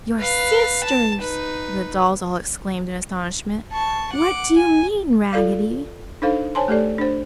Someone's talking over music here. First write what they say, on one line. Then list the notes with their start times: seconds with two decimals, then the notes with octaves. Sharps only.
"Your SISTERS!" the dolls all exclaimed in astonishment, "What do you mean, Raggedy?"
0.19 B4 F5
0.84 A5
1.20 D#4 B4
3.72 A5 C#6
4.14 F#5 D6
4.56 G#5
5.33 F4 A4 D5 F5
6.22 D4 D#4 A4 C5 F5
6.55 C5 C#5 G#5 A5 C6
6.68 A3 G4 A4 D5
6.98 D4 C5